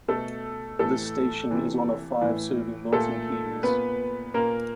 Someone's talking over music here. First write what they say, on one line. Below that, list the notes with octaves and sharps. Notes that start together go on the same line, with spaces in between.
This station is one of five serving Milton Keynes.
B2 A3 A4
A2 E3 A3 A4
C3 E3
A2 E3
A#2 A3 A4
A#2 B3 B4
A#2 A#3 A#4